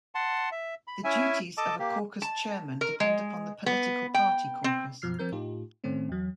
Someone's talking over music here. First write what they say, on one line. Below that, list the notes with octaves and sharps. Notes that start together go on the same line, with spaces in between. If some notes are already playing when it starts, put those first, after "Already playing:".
The duties of a caucus chairman depend upon the political party caucus.
F#5 A5 C6
E5
B5
C#4 E4 E5 G#5
A4 D#5 A5 D6
A#3 G4
A5
A#4
G#3
B3
G5
C4
F#2 B2 F3 F6 C7
F3 C4 A#4 G6
A2 D#4 F4 G4
A2 D#3 A3 C4 C#4
E2 F#3